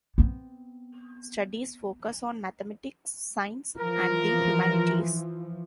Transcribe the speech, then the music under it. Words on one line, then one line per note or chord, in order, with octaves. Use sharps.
Studies focus on mathematics, science, and the humanities.
B3 C4
E3 F3 A#4